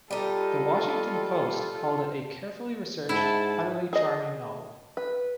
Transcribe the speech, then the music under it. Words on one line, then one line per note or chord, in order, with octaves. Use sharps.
"The Washington Post" called it "a carefully researched, utterly charming novel".
G3 D#4 F4 G4 A4
G#2 E4 F#5 A5
G#4 D#5
B4